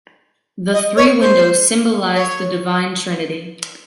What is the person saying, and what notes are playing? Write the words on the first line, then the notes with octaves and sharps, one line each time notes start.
The three windows symbolize the Divine Trinity.
D#5
C#5
C5
C#5